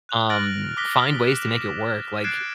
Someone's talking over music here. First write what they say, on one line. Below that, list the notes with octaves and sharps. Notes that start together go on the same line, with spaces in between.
Um, find ways to make it work, like
F#6 F7
F6 F#6 A6 A#6 D7 F#7
D6 D#6 F#6 A#6 B6 G7
E7
F#6 G#6 A6 C7 D7 E7